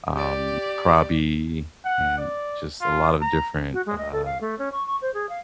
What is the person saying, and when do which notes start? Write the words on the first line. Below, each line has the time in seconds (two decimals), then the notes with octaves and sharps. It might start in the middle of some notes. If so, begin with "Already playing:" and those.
um, Krabi and just a lot of different, uh
0.13 G4 D5
1.85 F#5
2.18 D5
2.81 F4
3.21 A#5
3.73 F#4
3.86 G#3
3.98 D#5
4.12 A4
4.25 F5
4.41 A3
4.59 C#4
4.72 C#6
4.87 C#6
5.02 C5
5.14 G#4
5.29 F5